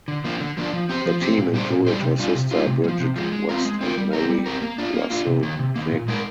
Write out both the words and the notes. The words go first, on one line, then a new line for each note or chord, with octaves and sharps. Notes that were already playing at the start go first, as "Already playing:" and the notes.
The team included her sister Bridget West and Mary Russell Vick.
D3
F3 A#3 D4
D3
F3 A#3 D4
F3
C4 G4 C5
F3
C4 G4 C5
A#2
G3 D4 G4 C5
A#2
G3 D4 G4 C5
C3
G3 D4 F4
C3
G3 D4 F4
C3
G#3
F3
C3
F3 G#3
G#3
C4 F4 A#4
G#3
C4 F4 A#4
G3
C4 G4 A#4
G3
C4 G4 A#4
A#3
D4 F4
A#3
D4 F4
C3
D#3 A#3
C3
D#3 A#3
A#2
G#3 D#4 A#4